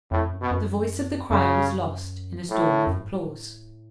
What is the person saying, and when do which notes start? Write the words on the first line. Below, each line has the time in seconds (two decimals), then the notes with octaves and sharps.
The voice of the crier was lost in a storm of applause.
0.11 F2 A2
0.31 F#2
0.41 B2
0.51 F#2
1.30 F#2 C#3
2.49 A2
2.87 F#2
2.98 G#2
3.09 A2